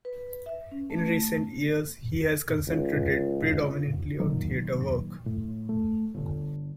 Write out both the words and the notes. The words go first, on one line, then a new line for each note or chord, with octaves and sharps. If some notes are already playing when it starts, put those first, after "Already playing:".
In recent years he has concentrated predominantly on theatre work.
B4
E5
C#4
A3
C#2
A#2 D#3 F#3
A2
A3
G1 D3